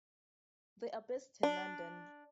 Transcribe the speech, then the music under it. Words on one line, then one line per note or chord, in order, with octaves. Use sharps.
They are based in London.
D4